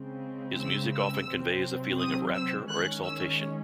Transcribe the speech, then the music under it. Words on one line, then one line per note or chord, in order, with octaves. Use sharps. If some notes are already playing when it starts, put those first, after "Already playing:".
His music often conveys a feeling of rapture or exaltation.
Already playing: C#3 G#3 C4
E6
E6
C3 F#3 C4
D#6
E6
D#3 G#3 C#4 F#6
E6